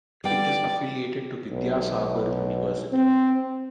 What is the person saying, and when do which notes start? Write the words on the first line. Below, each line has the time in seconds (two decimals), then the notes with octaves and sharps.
It is affiliated to Vidyasagar University.
0.24 G3 B3 D5 G5
1.51 B1
2.92 C4